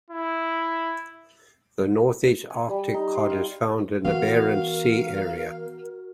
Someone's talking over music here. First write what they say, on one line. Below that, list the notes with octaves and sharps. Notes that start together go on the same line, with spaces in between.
The Northeast Arctic cod is found in the Barents Sea area.
E4
G#5
G3
D#4
C6
F5
E3 B3 F#4 A#4 F5